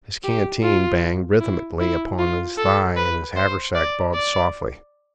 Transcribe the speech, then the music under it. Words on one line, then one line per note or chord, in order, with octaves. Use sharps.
His canteen banged rythmically upon his thigh, and his haversack bobbed softly.
G4
F4
E4
E4
F4
A4
B4
C5
D5
D5